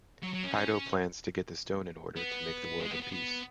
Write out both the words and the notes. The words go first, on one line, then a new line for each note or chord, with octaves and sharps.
Haido plans to get the stone in order to make the world in peace.
F#3
F#3
C#4
C#4
B3
G#3
B3
B3
B3